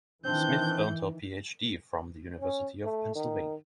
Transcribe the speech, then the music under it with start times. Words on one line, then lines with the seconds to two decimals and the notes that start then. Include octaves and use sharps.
Smith earned her Ph.D. from the University of Pennsylvania.
0.25 D#3 E3 C4 D4 G6
2.41 C#4
2.84 A3
3.16 D#3